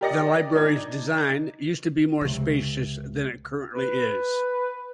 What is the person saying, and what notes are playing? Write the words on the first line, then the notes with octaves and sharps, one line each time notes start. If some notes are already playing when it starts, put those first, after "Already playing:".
The library's design used to be more spacious than it currently is.
G4 A#4 D5 D#5 A#6 C#7
D4 D#4 D5 G#6
C#2 C3
B4